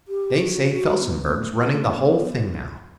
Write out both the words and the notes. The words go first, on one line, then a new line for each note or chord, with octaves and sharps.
They say Felsenburgh's running the whole thing now.
G4
F#4
F#4
B3
A3
A3
B3